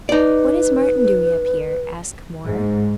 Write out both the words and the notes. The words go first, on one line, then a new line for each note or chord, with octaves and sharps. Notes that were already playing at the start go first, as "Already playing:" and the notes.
"What is Martin doing up here?" asked Moore.
D#4 B4 D5
G#2